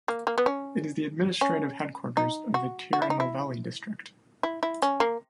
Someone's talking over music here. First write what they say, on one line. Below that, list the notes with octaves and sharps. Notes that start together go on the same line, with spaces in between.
It is the administrative headquarters of the Tirunelveli District.
A#3
A#3
B3
C#4
C#4
D#4
F#4
F#4
E4
D#4
E4
E4
E4
C#4
A#3